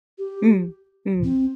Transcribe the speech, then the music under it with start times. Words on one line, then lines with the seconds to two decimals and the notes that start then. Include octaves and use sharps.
Mm, mm.
0.18 G4
1.24 C4